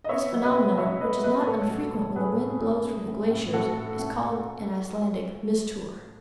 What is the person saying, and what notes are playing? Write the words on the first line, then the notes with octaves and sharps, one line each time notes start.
This phenomenon, which is not unfrequent when the wind blows from the glaciers, is called in Icelandic 'mistour.'
D#5
B3 C#5 E5
F#3
B4 D#5
B3
F#3 C#5 E5
B3 B4 D#5
F#3 B4 D#5
A2 A4 C#5
F#3
A3
A2 G#4 B4
A3
A3
A3
A2
A2
A2 F#4 A4
A3
A2